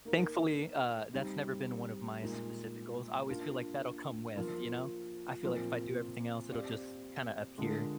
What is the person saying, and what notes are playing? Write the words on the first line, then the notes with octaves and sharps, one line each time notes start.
thankfully, uh, that's never been one of my specific goals. I always feel like that'll come with, you know, I feel like if I do everything else, it'll just kinda appear,
A#3 D#4 A#4
G3 C4 D#4
A#2 G#3 D#4 A#4
A#3 D4 F4
F3 A#3 F4 A#4
A#2 F3 C4 F4 A#4
C4 G4 D5 F5
D3 G#3 D4 F4 A#4